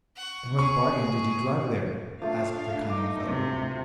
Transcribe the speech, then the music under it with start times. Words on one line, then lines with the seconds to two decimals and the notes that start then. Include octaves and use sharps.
'And what bargain did you drive there?' asked the cunning fellow.
0.17 F#5 C#6
0.59 G#4 C#6
2.22 F3 A3 D4 F5
2.90 D#4 D6
3.24 D2 C3